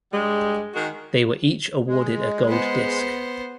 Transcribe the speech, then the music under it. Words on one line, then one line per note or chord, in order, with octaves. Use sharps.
They were each awarded a gold disc.
G2 G3 G#3
D#3 G#3 F#4 A#4
G#3
B3 C5